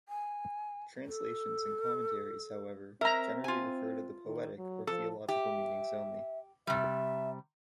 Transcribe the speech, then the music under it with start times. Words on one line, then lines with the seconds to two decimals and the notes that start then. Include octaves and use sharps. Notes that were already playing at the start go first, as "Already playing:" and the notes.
Translations and commentaries, however, generally refer to the poetic or theological meanings only.
0.09 G#5
1.06 A4
3.01 C4 A#4 E5 A#5
3.44 F4 G#5
4.25 D#3
4.56 F#3
4.87 F3 A4
5.28 G4 E5
6.67 C3 G3 E5